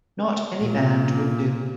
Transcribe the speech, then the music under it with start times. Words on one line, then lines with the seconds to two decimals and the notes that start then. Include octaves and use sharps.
Not any band would do.
0.60 A#2